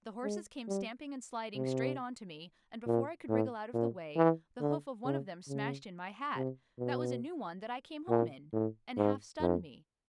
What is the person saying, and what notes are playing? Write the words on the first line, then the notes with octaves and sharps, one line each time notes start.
The horses came stamping and sliding straight on to me, and, before I could wriggle out of the way, the hoof of one of them smashed in my hat--that was a new one that I came home in--and half-stunned me.
G#3
G3
C3
A#2
A2
A#2
E3
D3
C#3
C#3
C3
B2
A#2
A2
G#2
F2